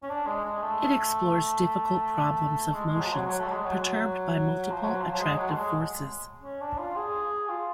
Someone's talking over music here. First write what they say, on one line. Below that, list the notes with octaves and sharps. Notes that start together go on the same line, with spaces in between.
It explores difficult problems of motions perturbed by multiple attractive forces.
C#4
D4
G#3
G#3
A3
G#3
G#3
F#3
F3
F#3
F#3
A3
F#3
G#3
F#3
F#3
F3
F#3
F3
F#3
G#3
F#3
A3
G#3
C#4
D4
F4
G#4
F4